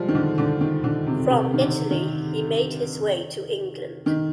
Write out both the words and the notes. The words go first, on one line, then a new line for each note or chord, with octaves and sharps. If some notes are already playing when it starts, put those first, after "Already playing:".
From Italy he made his way to England.
Already playing: F3 G3 G#3
D#3
D3
D3
D#3
D3
C3
C3
D#3
D3
D#3
D#3